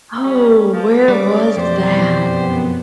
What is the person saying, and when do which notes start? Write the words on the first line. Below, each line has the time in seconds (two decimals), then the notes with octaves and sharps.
Oh, where was that?
0.23 G3 C#4
0.72 F3 D6
1.08 C#3 G3 D5
1.57 F2 B2 E3 G4 C5
2.19 F#2 B3